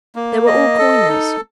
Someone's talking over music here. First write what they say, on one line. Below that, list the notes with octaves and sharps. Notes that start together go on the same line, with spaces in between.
They were all coiners.
A#3
D#5
A4
D#4